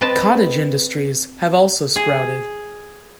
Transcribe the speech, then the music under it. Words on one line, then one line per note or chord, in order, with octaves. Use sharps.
Cottage industries have also sprouted.
C4 B4 D#5 A5
G#4